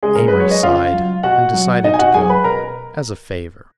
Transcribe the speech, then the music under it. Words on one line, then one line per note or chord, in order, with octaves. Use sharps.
Amory sighed and decided to go, as a favor....
C#3 G#3 G#4
A#4
B4
F#3
C#5
D#5
C#3 F4 F5
F#3
B2 F#4 F#5
F#3
B2 D#4 D#5
G#5
F#4 F#5
F#3 G#4 G#5
B4 B5
B2 A#4 A#5